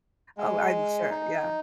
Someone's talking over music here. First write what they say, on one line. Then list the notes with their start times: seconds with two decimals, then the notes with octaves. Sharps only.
Oh, I'm sure, yeah.
0.38 G#3
1.10 D#4